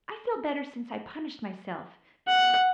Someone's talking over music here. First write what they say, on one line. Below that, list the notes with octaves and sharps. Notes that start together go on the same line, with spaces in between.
I feel better since I punished myself.
F#5